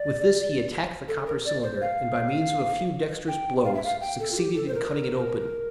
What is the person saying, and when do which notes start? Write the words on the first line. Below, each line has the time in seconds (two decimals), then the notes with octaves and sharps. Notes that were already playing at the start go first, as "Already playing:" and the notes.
With this he attacked the copper cylinder, and by means of a few dexterous blows succeeded in cutting it open.
Already playing: D5
1.08 A4
1.27 A#4
1.45 D5
1.63 C5
1.81 F5
3.28 G5
3.65 F5
3.74 E5
3.85 F5
4.01 G5
4.20 A4
4.32 F4
4.37 G4
4.56 A4
4.68 C5
4.74 A#4